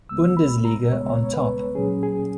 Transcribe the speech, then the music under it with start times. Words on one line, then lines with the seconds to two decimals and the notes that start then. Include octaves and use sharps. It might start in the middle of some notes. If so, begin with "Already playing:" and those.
Bundesliga on top.
0.09 C#2 C#3 G#3 B3 E6
0.37 B5
0.65 A#5
0.92 C#2 C#3 G#3 B3 C#5
1.13 C#5
1.34 B4
1.75 A#2 F#3 C#4 G#4
2.03 G#4